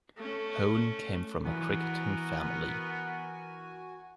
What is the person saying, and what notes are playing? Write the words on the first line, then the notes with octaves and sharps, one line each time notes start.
Hone came from a cricketing family.
A3 C#4
E3 B3 F#4 A#4 G#5